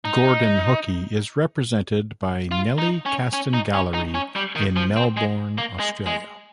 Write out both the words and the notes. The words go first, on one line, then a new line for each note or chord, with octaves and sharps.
Gordon Hookey is represented by Nellie Castan Gallery in Melbourne, Australia.
D#4
F4
D#4
C#4
C#4
D#4
C#4
D#4
C#4
G3
D#3
F3
C4
G#3
A#3
G#3
G#3